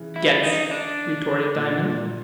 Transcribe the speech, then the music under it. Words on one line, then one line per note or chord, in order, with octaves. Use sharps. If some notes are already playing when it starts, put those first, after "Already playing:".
"Gets!" retorted Diamond.
Already playing: C#3 E3
E4
D#4
D4
A#2
A#2